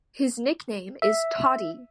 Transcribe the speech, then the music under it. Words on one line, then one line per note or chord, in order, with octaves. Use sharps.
His nickname is "Toddy".
E5